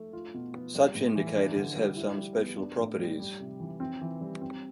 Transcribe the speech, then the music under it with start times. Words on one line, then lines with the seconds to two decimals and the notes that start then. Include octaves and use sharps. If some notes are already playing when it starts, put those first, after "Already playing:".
Such indicators have some special properties.
Already playing: A3
0.13 F4
0.34 B2
0.54 B3
0.75 G3
0.95 A2
1.15 E3
1.36 D4
1.56 D3
1.76 G3
1.97 E4
2.18 G3
2.37 B3
2.58 D4
2.79 A2
2.99 G3
3.20 G3
3.40 C3
3.60 E3
3.80 C4
4.01 E3
4.21 G3
4.41 C4